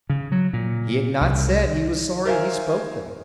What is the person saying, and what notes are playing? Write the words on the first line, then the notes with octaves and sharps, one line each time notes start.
He had not said he was sorry he spoke them.
C#3
F#3
A#2
C2
A#4 C5 E5 F5 G#5